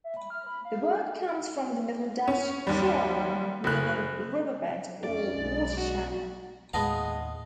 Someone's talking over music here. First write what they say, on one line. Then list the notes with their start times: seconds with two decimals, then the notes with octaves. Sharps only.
The word comes from the Middle Dutch "kille", meaning "riverbed" or "water channel".
0.04 E5
0.17 B5
0.30 F6
0.46 B5
0.65 F5
0.82 G#4
2.28 C#4
2.67 D#2 G3
3.64 F#1 F#6
5.04 F2 C#4 D5
5.39 B1 G#3
5.77 F#4
6.74 D#2 A2 G#3 B3 F5 F#5 A5 A#6